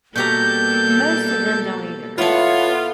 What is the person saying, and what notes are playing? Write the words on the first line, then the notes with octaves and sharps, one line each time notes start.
Most of them don't either.
B2 G3 A#3 G4 A4 A#5 G6
B3 E4 F4 A4 C#5